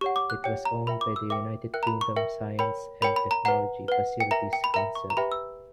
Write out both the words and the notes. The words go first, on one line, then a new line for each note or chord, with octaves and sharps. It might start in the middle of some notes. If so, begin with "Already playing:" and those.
It was owned by the United Kingdom Science and Technology Facilities Council.
G4 C#5 F#5 C#6
D6
F#6
G4 C#5 F#5 G5
A#5
A#4 E5 G5 B5
D6
E6
A#4 E5 G5 D6
A#4 E5 G5 F#6
A#5
B5
C#6
A#4 E5 G5
A#4 C#5 G5 B5
A#4 C#5 G5 B5
B5
A#5
B4 F#5 A#5
B4 F#5
G5
A#4 E5 G5 A#5
G5
B5
A#4 E5 G5 A#5
C#6
A#5
G4 B4 E5 G5 B5
E6